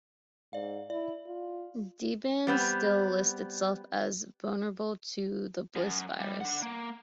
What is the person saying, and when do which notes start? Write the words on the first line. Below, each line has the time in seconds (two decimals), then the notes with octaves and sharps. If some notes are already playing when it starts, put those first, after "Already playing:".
Debian still lists itself as vulnerable to the Bliss virus.
0.53 G#2 D5 F5
0.90 E4 D5
1.26 F4
2.47 G3 B3 C4
5.75 F#2
6.20 G3
6.41 D4 F#5
6.62 A#3